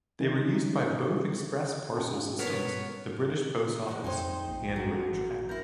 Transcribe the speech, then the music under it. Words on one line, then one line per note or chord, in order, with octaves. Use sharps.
They were used by both Express Parcels Systems, the British Post Office and Railtrack.
D#3 C#4 D#4
C#4 G5 A5
B2 B3 A4 A#4 C#5
E2 G#3
F2 D#4 G#4 C5 G5 G#5
A#1
F#3 F#4 G#4
A1
E4 A#4 G6 A#6